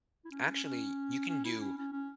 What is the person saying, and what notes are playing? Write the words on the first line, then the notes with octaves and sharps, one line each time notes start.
Actually, you can do
E4
C#4
C#4
C#4
C#4
E4
C#4
C#4
C#4